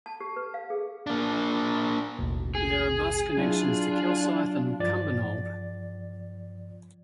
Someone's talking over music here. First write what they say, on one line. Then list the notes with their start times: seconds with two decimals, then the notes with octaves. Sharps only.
There are bus connections to Kilsyth and Cumbernauld.
0.06 A5
0.20 G4
0.36 B4
0.54 F5
0.70 G#4
1.07 A#3 D4
2.18 A1 D#2 B2
2.55 G#4
3.37 F#3 D4 E4 F4
4.80 G2 F3 D5 A6